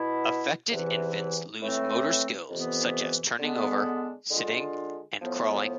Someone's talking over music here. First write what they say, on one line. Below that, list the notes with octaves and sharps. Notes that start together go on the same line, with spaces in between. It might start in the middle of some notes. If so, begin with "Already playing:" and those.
Affected infants lose motor skills such as turning over, sitting, and crawling.
Already playing: B2 B3 E4
E2 C3 E3
A2 E3 A3 C4
F2 C3 E3 B3
D3 G#3 B3 D4
D3 G#3 D4 F4
A2 F3 B3